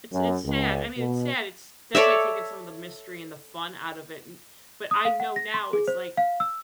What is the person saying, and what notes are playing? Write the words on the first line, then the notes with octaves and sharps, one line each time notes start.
It's it's sad I mean, it's sad, it's definitely taken some of the mystery and the fun out of it and but, I know now, it's, like,
F#2
C#2
B2
A4 C#5 D5 E5
D#6
F5
F#5
A#6
C6
G#4
C5
F5
E6